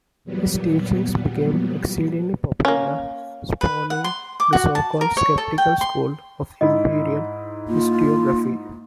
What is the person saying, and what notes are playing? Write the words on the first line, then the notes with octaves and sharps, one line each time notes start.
His teachings became exceedingly popular, spawning the so-called sceptical school of imperial historiography.
E2 A#2 F#3 G3 B3
A#3 C#4
B4
F#5
C6
D6
F#4
A5
A#4
C#5
A4
G5
C6
G#2 E4 D#5
A#3 F4